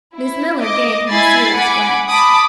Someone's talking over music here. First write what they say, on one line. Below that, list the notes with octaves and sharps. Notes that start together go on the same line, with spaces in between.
Miss Miller gave him a serious glance.
E4
D#5 D6
E4 G#5 B5 G#6 A6 C7
F#5 G#5 B5 D6
A5 B5 D6 D#6